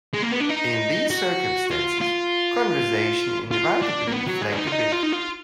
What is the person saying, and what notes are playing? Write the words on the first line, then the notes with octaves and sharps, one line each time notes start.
In these circumstances, conversation inevitably flagged a bit.
G#3
A#3
B3
D4
D#4
F#4
F4
F4
F4
D4
A#3
B3
F#3
G#3
D4
D#4
F4
D#4
F4
D#4
F4